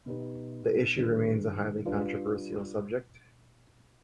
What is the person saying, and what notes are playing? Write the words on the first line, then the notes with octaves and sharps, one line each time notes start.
The issue remains a highly controversial subject.
B2 B3 D#4 G4 B4
D#3 G3 D4 G#4 B4
G3 D4 F4 B4